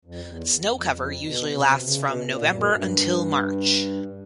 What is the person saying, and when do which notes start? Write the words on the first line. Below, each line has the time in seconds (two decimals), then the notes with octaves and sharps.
Snow cover usually lasts from November until March.
0.05 F2
0.27 E2
0.73 F2
0.94 F2
1.25 B2
1.54 C3
1.84 C#3
2.06 B2
2.29 A#2
2.52 F#2
2.74 G2